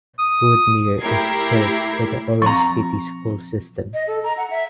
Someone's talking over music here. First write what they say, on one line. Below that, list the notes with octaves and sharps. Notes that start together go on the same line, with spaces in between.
Woodmere is served by the Orange City School System.
D#6
A3 E4 G4 A#4 G#6 C7
F3 C4 A#5 C#6
D#5
A4
A#5
F#5
E5